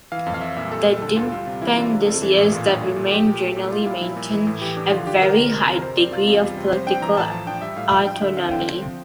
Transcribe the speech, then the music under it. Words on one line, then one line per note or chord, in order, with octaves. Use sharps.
The dependencies that remain generally maintain a very high degree of political autonomy.
E3 F5
F2
F5
F3 E5
A#2 E5
G3 A4
A#2
D3 A4
D2 F4
G3 F4
C3
E3 E4
D4 F4
C3
F2 A4
E3
A2
A#2 F4
D4
A3
A#2
F3 G4
A#2
A3
A#2
G3 F4
E4
A#2 F4
F3 E4
A#2
E3
A2
E3 G4
D4 G4
D3 F4
D4 G4
D3 A#4
D2
C3
F2
C3 C5
C4 D5
C3 F4
E2
G3
C3
F3 C5
D4 G5
E3 A#5
A2 A5
F3 A5
D4 G5
G3 E5
A2 F5
F3 G5
D4 G5
D3 E5
C4 F5
D3 G5
C4
F3